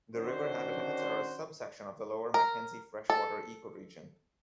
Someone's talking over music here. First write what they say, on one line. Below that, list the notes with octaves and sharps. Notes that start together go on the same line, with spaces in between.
The river habitats are a subsection of the Lower Mackenzie Freshwater Ecoregion.
D#3 C#4 D4 F#4 C5
A#4
A4